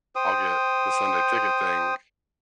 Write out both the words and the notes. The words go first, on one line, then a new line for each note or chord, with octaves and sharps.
I'll get the Sunday ticket thing,
C5 G5 D#6